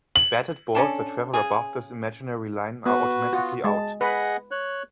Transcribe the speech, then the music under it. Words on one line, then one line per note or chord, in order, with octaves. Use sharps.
Batted balls that travel above this imaginary line are automatically out.
F#7
C#4 D4 A4
C#3 G#4
B3 F#4 B4
B3 F4 F#4
G#3 A5
G#4 B4 D#5 F#5
C#5 F#6